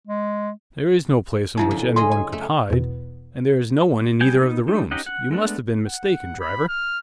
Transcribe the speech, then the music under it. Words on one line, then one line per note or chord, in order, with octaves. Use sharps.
'There is no place in which anyone could hide, and there is no one in either of the rooms,--you must have been mistaken, driver.'
G#3
C3 F3 F#3 D#4 E4
F#2 D3
C#3 G#4 D#5 C6
G#5
A3
E2 B2
F#3 G3 B3 G5 G#5
B3 D#4
G3 D4 D#4
C#4 D#4 G4 D#5 F#5
F#5
G#3 A3 B3 D4
F#5
B5
F6